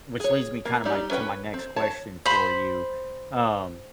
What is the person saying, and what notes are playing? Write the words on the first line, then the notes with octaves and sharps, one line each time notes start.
which leads me kinda my to my next question for you, um
G#4 C#5
A#3
G3 D#4 G4 D5
C#4 B4 F#5 G5
C4
C#5 A5
C5 B5